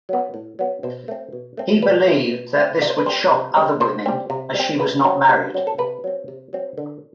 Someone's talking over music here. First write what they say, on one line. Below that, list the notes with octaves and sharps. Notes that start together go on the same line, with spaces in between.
He believed that this would shock other women as she was not married.
F#3 B3
A2
F#3 B3
B2 C5
A3 C4
B2
A3 C4
B2 B4
A3 C4
B2
A3 C4
C3 D5
C5
B4
G3 C4 C5
C3
G3 C4
C3 C5
G3 C4
C3
G3
C4
C3 B4
F#3 C4
C3
F#3 C4
A4
C3 B4
F#3 C4
C3
F#3 C4
D3